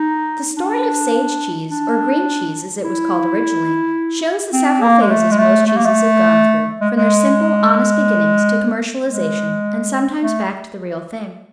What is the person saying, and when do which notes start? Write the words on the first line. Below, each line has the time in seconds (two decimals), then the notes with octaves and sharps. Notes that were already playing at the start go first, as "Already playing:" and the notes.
The story of Sage cheese, or green cheese as it was called originally, shows the several phases most cheeses have gone through, from their simple, honest beginnings to commercialization, and sometimes back to the real thing.
Already playing: D#4
0.56 D4
1.70 D4
2.84 E4
4.53 C4
4.81 A#3
5.02 G#3
5.10 A3
5.31 G#3
5.38 A3
5.67 A3
5.77 A#3
5.85 A3
6.80 G#3
6.95 G#3
9.06 G#3
10.20 A3